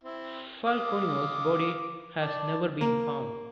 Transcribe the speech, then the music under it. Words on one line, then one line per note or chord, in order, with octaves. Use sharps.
Falconio's body has never been found.
C4 E4
F5 D6 D#6
D5 A5
A#3